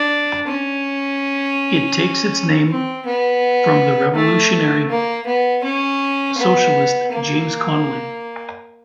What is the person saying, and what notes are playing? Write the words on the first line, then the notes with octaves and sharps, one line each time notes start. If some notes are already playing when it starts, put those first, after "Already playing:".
It takes its name from the revolutionary socialist James Connolly.
Already playing: D4
C#4
C4
B3
A3
A#3
B3
C#4
B3
A#3